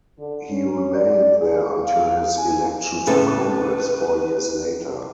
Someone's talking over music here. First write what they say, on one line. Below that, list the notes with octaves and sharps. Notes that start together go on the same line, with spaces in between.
He remained there until his election to Congress four years later.
D3
C#4
D5
G#4
F5
G#5
A2 C#3 A3 B3 C4 A4 B4